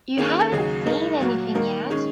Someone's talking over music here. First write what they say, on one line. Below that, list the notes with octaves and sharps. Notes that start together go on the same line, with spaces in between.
You haven't seen anything yet.
D#3 A#3 C#4 G#4
D#2 C#3 F#3 D#4 G#4
D#2 D#3 G#3 D#4 A#4
A#2 F#3 A#3 F#4 A#4
D#3 A#3 D#4 A#4
D#3 G#3 C#4